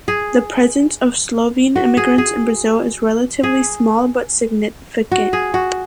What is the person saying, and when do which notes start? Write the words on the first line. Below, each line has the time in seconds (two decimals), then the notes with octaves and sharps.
The presence of Slovene immigrants in Brazil is relatively small but significant.
0.08 G#4
1.76 F#4
1.97 G#4
2.18 G#4
3.43 G#4
5.12 F#4
5.33 G#4
5.54 F#4